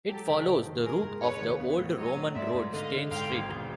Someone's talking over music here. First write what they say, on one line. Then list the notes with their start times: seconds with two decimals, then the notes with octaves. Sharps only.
It follows the route of the old Roman road Stane Street.
0.08 F#3 G4 A4
0.28 C#2
0.46 F#1
0.65 D#3
0.84 G#3 G#4 A#4
1.03 G#2
1.21 F1 B4 C#5
1.41 D#2
1.60 B3
1.78 A2
1.97 F#3 C#5 D#5
2.17 A2
2.35 G#2 D5 E5
2.54 G#2
2.72 D3 D#5 F5
2.92 D3
3.11 G#2 F5 G5
3.29 G#1
3.49 E1